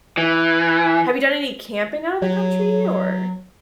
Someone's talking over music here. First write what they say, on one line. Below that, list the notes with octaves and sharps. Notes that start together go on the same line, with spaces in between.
have you done any camping out of the country or
E3
F#3 C#5